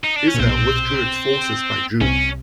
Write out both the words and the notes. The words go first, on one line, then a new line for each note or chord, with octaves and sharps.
Israel withdrew its forces by June.
D#4
D4
C#4
A#2
B1 B2 C4
C2 C3 C#4